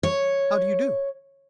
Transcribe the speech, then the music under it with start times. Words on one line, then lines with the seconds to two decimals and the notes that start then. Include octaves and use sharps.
"How do you do?"
0.03 C#5